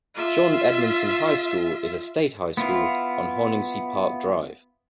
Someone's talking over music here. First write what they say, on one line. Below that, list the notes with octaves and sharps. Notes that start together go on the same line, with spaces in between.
John Edmondson High School is a state high school on Horningsea Park Drive.
F4 E5
B3 E4 F4